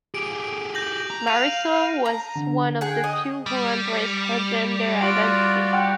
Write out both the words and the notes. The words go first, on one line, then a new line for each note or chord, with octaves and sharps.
Marisol was one of the few who embraced her gender identity.
G4 G#4 D7
G6 A#6 F#7
A#5
F5 D#7 F7
A#5
D3
G#4 F#5 G5
D#5
G3
F4 F#4 D5 D7
F#5 G5 F#6